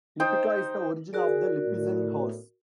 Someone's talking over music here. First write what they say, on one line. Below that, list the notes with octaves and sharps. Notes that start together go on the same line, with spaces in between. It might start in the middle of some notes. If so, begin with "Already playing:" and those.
Lipica is the origin of the Lipizzan horse.
D#4 C5 G5
F#4 G#4 A#4 D5
A2